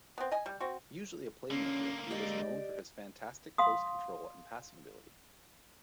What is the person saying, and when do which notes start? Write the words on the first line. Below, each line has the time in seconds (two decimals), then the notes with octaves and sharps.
Usually a playmaker, he was known for his fantastic close control and passing ability.
0.18 B3 C4
0.32 D#5 G#5
0.46 G3
0.60 C4 F#4
1.51 D3 A#3 C#4
2.11 G#3 G4 D5 D#5
3.58 F5 C6 D#6